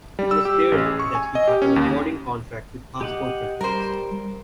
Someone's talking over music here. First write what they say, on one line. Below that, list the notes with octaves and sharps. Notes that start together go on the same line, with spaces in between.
It was there that he got a recording contract with Passport Records.
G3
E6
G4
A1
G#4
C#6
G#5
D#5
G4
C#4
D#2
G4 D#5 F#5
G3 A#4 C5